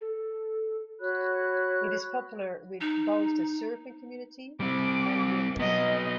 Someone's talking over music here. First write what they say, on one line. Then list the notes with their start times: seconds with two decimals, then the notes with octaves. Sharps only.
It is popular with both the surfing community and walkers.
0.01 A4
1.00 F#4 C#5 B5 F#6
2.81 D#4
4.60 G3 C4 D6
5.59 F#3 B3 D#5